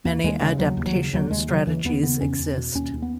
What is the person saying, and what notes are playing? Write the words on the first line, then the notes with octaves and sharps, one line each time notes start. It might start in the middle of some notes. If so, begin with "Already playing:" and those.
Many adaptation strategies exist.
D#2 A#3
D#2 G#3
C#3 G#3
D#2 F#3
D#2
F#3
C#3
D#2 F#3
D#2 G#3
C#3 F#3
D#2 E3
D#2 B3
C#3 B3
E2 C#4
E2
B2
D#2 C#4
D#2
B3